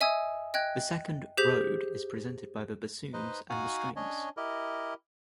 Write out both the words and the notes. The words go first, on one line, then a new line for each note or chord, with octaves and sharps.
The second "road" is presented by the bassoon and the strings.
D#5 E5 G#5 D#6 E6 G#6
D#5 G5 F#6 G#6
G4 G#4 C5 G6 B6 F7
D#4 B4 C5 D#5
D#4 F#4 F5 F#5 G#5
C#4 D4 C#5 D#5
E4 G4 A#4 D#5